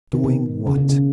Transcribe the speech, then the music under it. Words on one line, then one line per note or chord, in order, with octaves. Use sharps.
"Doing what?"
D#3
B2
C#3
C#3
C#3